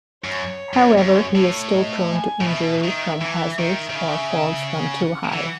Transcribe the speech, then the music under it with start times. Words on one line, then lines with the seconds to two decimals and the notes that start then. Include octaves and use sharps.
However, he is still prone to injury from hazards or falls from too high.
0.24 F#2 C#5
0.74 F#2
0.98 F#2
1.36 A2
1.73 D#5
2.10 G#5
2.41 A2
2.47 B2 E5
2.84 D#3
3.21 E3
3.59 D#3
3.90 D#3
3.95 C#3 E5
4.70 F#5
5.33 E3